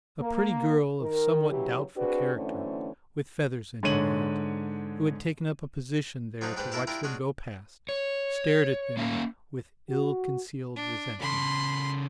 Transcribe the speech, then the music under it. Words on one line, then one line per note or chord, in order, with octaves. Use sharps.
A pretty girl of somewhat doubtful character, with feathers in her hat, who had taken up a position there to watch them go past, stared at them with ill-concealed resentment.
A#3
D#3 A#4
C#3 E3 F#3 G4
C4 D4 F#4 G#4 B4
F#2 D3 E3 A3 C4 C#4
G#2 D3 C#5 D#7 F#7
F3 F#3 D4 D#4
G#2 D4 G4 B4
A#3 D4 E4 A#4 A5
D4 E4 F4 G4 A#4
G#3 C#4 D4 F#4
C#5
A#3 C#4 E5 F5
F#4
D4
C#3 A4 B5 C6